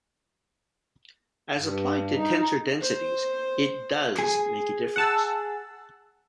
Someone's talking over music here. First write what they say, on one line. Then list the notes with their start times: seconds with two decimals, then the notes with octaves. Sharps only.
As applied to tensor densities, it "does" make a difference.
1.58 G2
2.14 D#4
2.81 C5
4.19 G#4
4.96 F#5 A5 E6